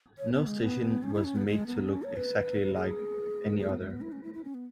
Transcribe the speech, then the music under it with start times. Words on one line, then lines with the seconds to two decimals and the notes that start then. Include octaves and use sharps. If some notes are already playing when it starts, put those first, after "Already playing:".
No station was made to look exactly like any other.
0.19 C#5
0.33 B3
0.47 G#3
0.61 B3
1.03 C#4
1.14 E4
1.24 C#4
1.36 B3
1.46 G#3
1.67 B3
1.88 C#4
2.03 C#5
2.17 B4
2.74 G#4
3.59 G#4
3.69 B3
3.80 G#3
3.91 B3
4.01 E4
4.12 C#4
4.23 E4
4.34 E4
4.44 C#4
4.54 B3